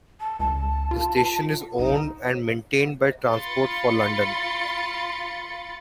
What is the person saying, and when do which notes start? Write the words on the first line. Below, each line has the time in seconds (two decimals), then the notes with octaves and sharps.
The station is owned and maintained by Transport for London.
0.20 A5
0.39 C#2 A5
0.91 F4
1.79 C2 D#4
3.26 F4 B5 C6 A6 C#7